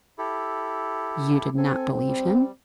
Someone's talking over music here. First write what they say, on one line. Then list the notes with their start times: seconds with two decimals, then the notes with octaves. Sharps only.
"You did not believe him?"
0.18 E4 G4 A4
1.57 C4 A4 G#5
2.07 G3